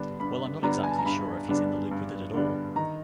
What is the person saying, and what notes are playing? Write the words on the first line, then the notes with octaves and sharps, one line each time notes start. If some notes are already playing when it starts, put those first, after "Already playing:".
Well I’m not exactly sure if he’s in the loop with it all.
Already playing: D3 G3 B3 D4
G2 B5
D3 G3 B3 D4 A#5
G#5
A5
A#5
G2 B5
D3 G3 B3 D4
G2
D3 G3 B3 D4
D#3 A#5